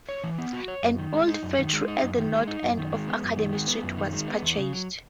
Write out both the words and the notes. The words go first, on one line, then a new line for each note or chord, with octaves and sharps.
An old factory at the north end of Academy Street was purchased.
C#5
E3
B3
F#4
C#5
F#2
D#3
G#3
D#4
F#2
D#3
G#3
D#4
F#2
D#3
G#3
D#4
F#2
D#3
G#3
B3
F#2
D#3
G#3
B3
F#2
D#3
G#3
B3
E2
C#3
F#3